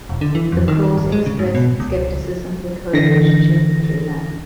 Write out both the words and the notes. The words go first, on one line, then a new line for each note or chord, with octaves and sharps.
The Crowes express skepticism with her relationship with Raylan.
E1
D3
E3
F2
D#3
G#1
G#3
C#3
G#2
B2
C#2
D3 E3 A#6